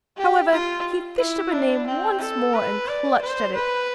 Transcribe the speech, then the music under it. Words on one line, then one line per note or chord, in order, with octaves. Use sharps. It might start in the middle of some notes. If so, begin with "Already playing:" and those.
However, he fished up a name once more, and clutched at it.
G4
F4
E4
D4
C4
A4
B4
D5
C5
B4